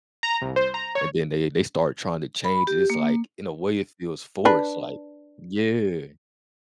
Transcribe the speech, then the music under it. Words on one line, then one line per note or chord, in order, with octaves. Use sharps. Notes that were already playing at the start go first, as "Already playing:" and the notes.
and then they they start tryna change it, it's like, in a way, it feels forced, like yeah.
A#5
C2
C5
A#5
C#5
B5
G4
A#3
D4 B4